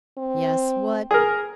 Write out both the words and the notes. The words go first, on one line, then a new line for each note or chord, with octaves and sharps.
"Yes, what?"
C4
G#4 A#4